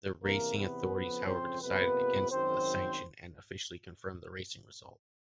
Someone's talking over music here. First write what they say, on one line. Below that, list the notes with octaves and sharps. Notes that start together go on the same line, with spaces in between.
The racing authorities however decided against a sanction and officially confirmed the racing result.
E2 C3 E3 A#3 A#4
B3 B4
F2 C#3 F3
C4 C5
F2 C3 F3 A#3 B3 B4
G#1 F#2 D#3 F#3 C4 C5